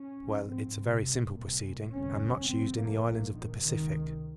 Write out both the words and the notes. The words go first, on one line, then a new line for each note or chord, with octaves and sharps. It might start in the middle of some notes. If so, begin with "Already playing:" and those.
"Well, it's a very simple proceeding, and much used in the islands of the Pacific."
Already playing: C#4
A#1 G#2
C4
C2 C3
C2 A#2
G1 F2 C3 C#4
G1 F2 C3 C4
A#3
A#1 A#2
D#3
C#2 C3 D#3